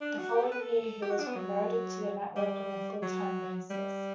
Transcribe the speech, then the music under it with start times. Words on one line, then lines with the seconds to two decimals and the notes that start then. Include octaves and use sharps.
The following year, he was promoted to the network on a full-time basis.
0.01 D4
0.18 F#4
0.36 G4
0.43 A4
0.52 B4
0.60 A4
1.02 G4
1.10 F#4
1.19 D4
1.27 B3
1.36 F#3
2.36 G3
3.03 F#3
3.70 G3